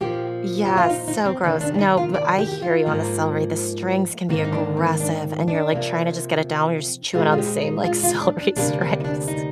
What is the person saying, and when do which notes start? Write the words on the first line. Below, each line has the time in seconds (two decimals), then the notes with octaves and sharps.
Yeah, so gross. No, but I hear you on the celery, the strings can be aggressive, and you're, like, trying to just get it down, you're just chewing on the same, like, celery strings.
0.01 A#2 F3 A#3 G4
0.66 G4
0.78 F4
0.89 D#4
1.08 D#4
1.26 C4
1.43 C3 D#3 A#3 D4
1.61 D4
1.74 D4
1.79 D#4
1.97 F4
2.14 D5
2.39 G4
2.52 G4
2.62 F4
2.86 G#2 F3 A#3
4.29 G#2 D#3 A#3 C4
4.44 D#4
4.53 D4
4.77 C4
5.00 D4
5.48 D4
5.72 C3 F3 A#3
7.14 A#2 G#3 C4 F4
7.32 F4
7.38 G4
7.62 D#4
7.85 F4
8.03 F4
8.21 D4
8.39 D4
8.57 D2 C3 G3 A#3 D4
8.81 C4
9.00 D#4
9.04 D4
9.28 D#4